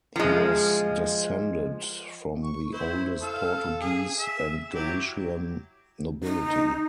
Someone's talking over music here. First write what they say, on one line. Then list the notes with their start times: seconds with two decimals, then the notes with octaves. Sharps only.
He was descended from the oldest Portuguese and Galician nobility.
0.16 F3 G#3
2.44 C#6
2.73 E4 C5
3.22 A4 F5 E6
3.81 G#4
4.19 E5
4.74 F#3 E4 G4
6.24 D#4